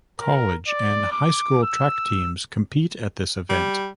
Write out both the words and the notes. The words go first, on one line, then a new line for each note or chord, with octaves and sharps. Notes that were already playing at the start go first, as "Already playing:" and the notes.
College and high school track teams compete at this event.
A#4
D5
D6
E6
G3